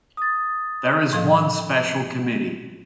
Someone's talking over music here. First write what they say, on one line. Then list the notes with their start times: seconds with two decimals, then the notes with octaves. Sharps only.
There is one special committee.
0.17 D#6 A6
1.13 A2 F3 A4 D#5 F5